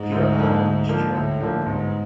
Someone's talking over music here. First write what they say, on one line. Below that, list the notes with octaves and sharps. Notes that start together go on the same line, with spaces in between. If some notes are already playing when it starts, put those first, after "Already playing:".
Peter Allen is chairman.
Already playing: G#2
D2
D3 F3 A#3
D2
D3 F3 A#3
D2 A2
D3 F3 A#3
G1 G#2